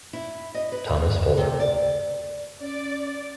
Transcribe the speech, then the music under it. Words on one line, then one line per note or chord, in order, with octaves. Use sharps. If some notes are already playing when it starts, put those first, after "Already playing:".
Thomas Fuller.
E4
D#5
B4
D2
C3
D5
C#4 D5